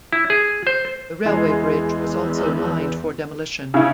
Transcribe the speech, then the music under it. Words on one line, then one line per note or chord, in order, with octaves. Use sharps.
The railway bridge was also mined for demolition.
E4
G#4
C5
E2 G#3
C#3 E4